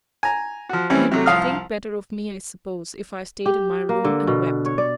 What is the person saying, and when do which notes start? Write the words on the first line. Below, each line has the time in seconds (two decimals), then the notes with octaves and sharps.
You'd think better of me, I suppose, if I stayed in my room and wept.
0.23 G#5 A#5
0.69 F3 F#4
0.90 E3 G3 C4 C#4 E4
1.11 C3 F#3 A3
1.26 C2 F3 F5 D#6 F6
3.46 G4
3.89 A#3
4.04 D3
4.27 B2
4.66 C#5
4.78 D5